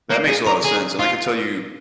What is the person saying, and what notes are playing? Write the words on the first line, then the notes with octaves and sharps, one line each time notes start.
That makes a lotta sense, and I could tell you-
A#3
G#4
A#4
G#4
F4